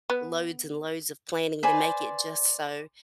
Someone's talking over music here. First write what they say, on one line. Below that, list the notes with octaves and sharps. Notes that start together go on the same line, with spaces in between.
loads and loads of planning to make it just so
B3
B4 C5 D5 G#5